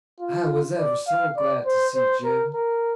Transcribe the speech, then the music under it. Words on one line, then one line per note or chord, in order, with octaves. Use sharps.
I was ever so glad to see Jim.
F4
D5
F5
D5
C5
C5
A#4
A#4